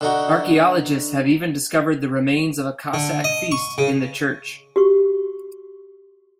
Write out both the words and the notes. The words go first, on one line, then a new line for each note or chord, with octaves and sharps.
Archaeologists have even discovered the remains of a Cossack feast in the church.
D3 D#4 F#4
D3
D#5
C#6
C#3
F#4 G4 C#6